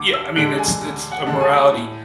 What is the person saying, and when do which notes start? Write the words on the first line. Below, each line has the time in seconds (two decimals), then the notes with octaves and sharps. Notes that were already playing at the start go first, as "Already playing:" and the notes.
yeah, I mean, it's it's a morality
Already playing: D2 D6
0.14 E6
0.36 D3 G#3 D4 F#6
0.58 G#5
0.81 D2
1.12 F#5
1.27 D3 G#3 D4
1.41 G#5
1.71 A2